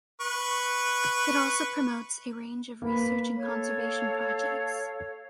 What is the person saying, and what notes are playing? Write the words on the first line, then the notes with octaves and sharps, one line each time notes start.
It also promotes a range of research and conservation projects.
B4 C#6
A#3 B4
A4 C#5 F5